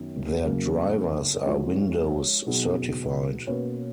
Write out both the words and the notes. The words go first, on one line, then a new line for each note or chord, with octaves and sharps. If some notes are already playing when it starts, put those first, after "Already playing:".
Their drivers are Windows certified.
Already playing: F#2 D#3 F#3 B3
F#2 C#3 F#3 A#3
F3 G#3 D#4 F#4 C#5
B2 F#3 B3 D#4 G#4
B2 A#3 C#4 F#4 B4